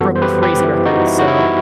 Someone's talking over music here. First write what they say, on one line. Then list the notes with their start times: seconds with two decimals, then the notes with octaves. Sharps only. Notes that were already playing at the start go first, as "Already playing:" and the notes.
broke crazy records, so
0.01 F#2 E3 G3 B3 F#4 A4
0.16 C5
0.22 G4 B4
0.43 G4 B4
0.64 E4
0.85 D#4 F#4
1.07 E4
1.19 F#4
1.28 E4